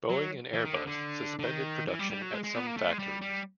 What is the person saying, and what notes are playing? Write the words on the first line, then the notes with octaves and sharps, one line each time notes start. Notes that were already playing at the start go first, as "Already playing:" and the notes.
Boeing and Airbus suspended production at some factories.
F#3
E3
D#3
D3
D3
D3
D#3
E3
G3
G3
F#3
G#3
G#3
B3
A#3
A3
G#3
G3
G3